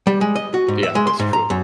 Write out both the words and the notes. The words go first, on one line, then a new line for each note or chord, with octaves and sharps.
Yeah, that's true.
G3
G#3
D#5
F#4
G#2
E5
G#3
C6
G#2
A#5
F#2